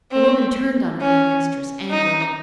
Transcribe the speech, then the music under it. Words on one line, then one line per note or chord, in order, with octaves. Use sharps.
The woman turned on her young mistress angrily.
C4
C#4
D#4